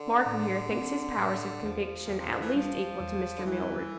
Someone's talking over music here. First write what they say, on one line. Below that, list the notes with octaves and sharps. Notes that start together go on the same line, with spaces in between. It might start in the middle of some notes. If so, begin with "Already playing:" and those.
Markham here thinks his powers of conviction at least equal to Mr. Millward's.
Already playing: D3
A2
C4
A2
E2 F3
E2 A#2
C3
D3
E3
F3 G3
E2
D3
E3 G3